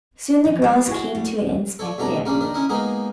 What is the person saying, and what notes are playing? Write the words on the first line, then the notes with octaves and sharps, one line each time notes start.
Soon the girls came to inspect it.
E3 F3 D#4
G3 G#3
E4 F#4 G#4
G3
A4 C#5 D5
C2 B2 A3 D4 A4 A#5
A#1 A#3 C#4 D4 A#4
D#3 D4 A#4
C#4 E4 A#4 D#5
G#3 A#3 B3 D#4 G#4 A#4